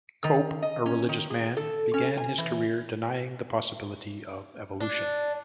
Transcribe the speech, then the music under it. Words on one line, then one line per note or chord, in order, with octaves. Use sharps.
Cope, a religious man, began his career denying the possibility of evolution.
D#3
D#5
C#4
D#3
G#4
A4
C#4
G#5
E3
D4